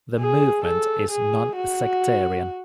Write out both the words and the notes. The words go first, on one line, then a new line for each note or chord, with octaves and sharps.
The movement is non-sectarian.
G#4
A4
G#4
F#4